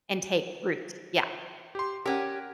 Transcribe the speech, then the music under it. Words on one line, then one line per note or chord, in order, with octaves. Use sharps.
and take root. Yeah.
G4 C6
C#4 G4 A#4 F#5